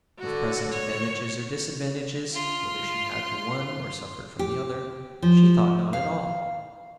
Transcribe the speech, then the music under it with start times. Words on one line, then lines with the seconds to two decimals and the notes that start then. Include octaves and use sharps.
Of present advantages or disadvantages,--whether she had the one or suffered from the other,--she thought not at all.
0.19 D3 F#4
0.73 C#5
2.34 F4 C6
4.39 G4
5.22 F3
5.93 F5